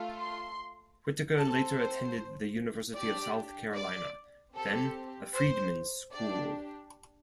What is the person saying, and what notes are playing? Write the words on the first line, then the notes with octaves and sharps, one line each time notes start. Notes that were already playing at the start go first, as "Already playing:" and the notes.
Whittaker later attended the University of South Carolina, then a freedmen's school.
Already playing: A3 F4 A4
C6
C4 A4 A5
C5
D4 G4 D5
D5
C4 G4 A4
C5
D4 G4 D5